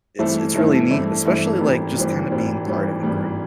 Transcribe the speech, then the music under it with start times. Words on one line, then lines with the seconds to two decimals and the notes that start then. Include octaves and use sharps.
it's it's really neat, especially, like, just kinda being part of a group.
0.19 G2 E3 A3 C4 E4
0.54 G2 E3 A3 C4 E4
0.89 G2 E3 A3 C4 E4
1.25 G2 E3 A3 C4 E4
1.61 G#1 G2 E3 G3 C4
1.96 G#1 G2 E3 G3 C4
2.31 G#1 G2 E3 G3 C4
2.66 G#1 G2 E3 G3 C4
3.02 G#1 G2 E3 G3